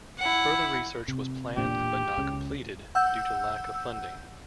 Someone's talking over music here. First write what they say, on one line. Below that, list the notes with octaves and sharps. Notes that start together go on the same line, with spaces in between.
Further research was planned but not completed, due to lack of funding.
E4 F#5
C3
E1 A#2 D4 G4
C#2 C#3
F#5 E6 G6